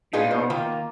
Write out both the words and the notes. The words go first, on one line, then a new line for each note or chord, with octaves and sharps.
you know,
D4 D#4 F4 G#4 B4
C5
D#3 A#3 F4